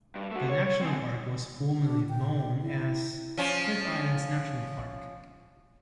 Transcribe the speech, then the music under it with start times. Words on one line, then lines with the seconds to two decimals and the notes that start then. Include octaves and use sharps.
The national park was formerly known as Cliff Islands National Park.
0.16 G2
0.31 A3 F#4
0.49 C#5
0.63 C#5
0.81 C4 D#4
1.81 D4
2.09 G5
2.62 E4
3.37 F3 C#4